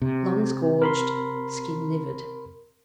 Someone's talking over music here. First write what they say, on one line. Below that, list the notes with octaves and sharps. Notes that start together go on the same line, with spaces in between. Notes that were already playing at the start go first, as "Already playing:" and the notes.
Lungs gorged, skin livid.
C3
A#4 B5 C6